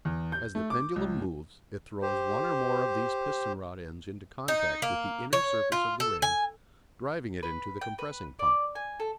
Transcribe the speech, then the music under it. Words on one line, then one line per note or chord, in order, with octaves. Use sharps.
As the pendulum moves it throws one or more of these piston-rod ends into contact with the inner surface of the ring, driving it into the compressing pump.
E2
G6
A3
D6
C#2
G4 C5
D#4
A#3
C#5
F4
A4
G#5
B4
G5
B4
D5
G#5
A4